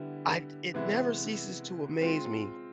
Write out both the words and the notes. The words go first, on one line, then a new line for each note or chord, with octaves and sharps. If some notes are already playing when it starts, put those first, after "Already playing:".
I it never ceases to amaze me
Already playing: D3 G3 B3 E4
C3 E3 G#3 B3 E4
G#3 C4 F4